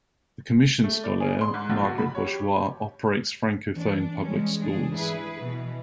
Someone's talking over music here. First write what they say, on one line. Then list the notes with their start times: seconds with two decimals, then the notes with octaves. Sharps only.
The "Commission scolaire Marguerite-Bourgeoys" operates Francophone public schools.
0.84 A3
1.04 D5
1.20 G#4
1.41 C6
1.54 G#2
1.70 A#1
1.83 F#4
1.98 B5
2.15 C#5
2.27 G4
3.76 E3 D4
4.21 G3 G#3 C#4
4.58 G#2 D4 G#4
4.94 E4 G#4 B4
5.39 B2 E3